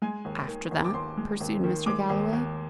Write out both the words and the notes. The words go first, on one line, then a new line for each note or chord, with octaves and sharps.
"After that?" pursued Mr. Galloway.
G#3 G#5
D#2
D#3
D#2
D6
D#2 C6
G#3
D#2
D#3
G#3 D6
D#2
D#2